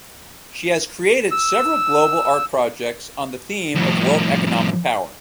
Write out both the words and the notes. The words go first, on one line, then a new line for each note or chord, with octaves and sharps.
She has created several global art projects on the theme of world economic power.
E6
F2 A2